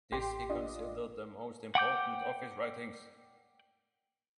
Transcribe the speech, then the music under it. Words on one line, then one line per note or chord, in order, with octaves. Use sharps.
This he considered the most important of his writings.
A1 G4 G5 C6
D4 F4 D#5
F#5 G5 D6 G6